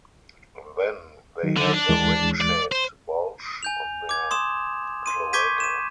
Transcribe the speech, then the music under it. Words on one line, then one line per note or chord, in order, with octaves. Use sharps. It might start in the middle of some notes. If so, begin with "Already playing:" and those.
Then they have a ring-shaped bulge on their cloaca.
D#3 F#3 D#4
D3
D4
D#2 E3 G#3
D5
C5
G#5 G6 F7
D6 G#6
C6 D#6 E7
C6 D#7
C#6 D6 G6 G#6 B6 D#7
D#7 E7